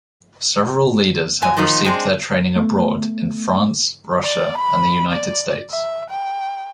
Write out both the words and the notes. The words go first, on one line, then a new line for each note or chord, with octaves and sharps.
Several leaders have received their training abroad in France, Russia and the United States.
F2 F#3 G#5
A#2 D#3 F3 D#4
G#3 C4 D4
A3 B3
D5
B5
D5
E5
G5